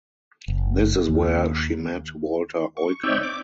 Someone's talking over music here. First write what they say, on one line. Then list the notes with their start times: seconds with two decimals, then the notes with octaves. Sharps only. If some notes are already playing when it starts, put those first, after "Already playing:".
This is where she met Walter Eucken.
0.48 F#1
1.09 D#2
2.77 C#6
3.03 C4 D#4 C#5 D5 E5 G5
3.23 D6